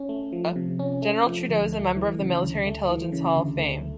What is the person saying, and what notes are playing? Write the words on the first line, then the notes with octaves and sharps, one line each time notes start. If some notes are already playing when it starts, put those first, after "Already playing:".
General Trudeau is a member of the Military Intelligence Hall of Fame.
Already playing: C#4
A3
F3
C3
C#4
A3
F3
D2
A3
E3
C#3
D2
A3
E3
C#3
D2
A3